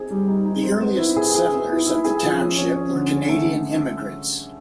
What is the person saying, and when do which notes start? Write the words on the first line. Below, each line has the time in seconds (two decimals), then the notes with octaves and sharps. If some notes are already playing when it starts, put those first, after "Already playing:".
The earliest settlers of the township were Canadian immigrants.
Already playing: C4 D#4 G#4
0.10 G3
0.28 D#4
0.45 D#4
0.63 C4
0.81 B3
0.99 E4
1.16 G#4
1.34 G#4
1.52 B3
1.70 E4
1.87 E4
2.05 G#4
2.23 F3
2.40 C#4
2.58 C#4
2.76 C#4
2.93 D3
3.12 C#4
3.29 A3